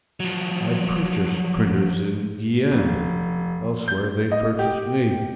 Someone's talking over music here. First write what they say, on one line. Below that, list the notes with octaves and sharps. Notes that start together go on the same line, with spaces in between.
I purchase printers in Guienne; elsewhere they purchase me.
F3 F#3
F1
G6
D#5
G4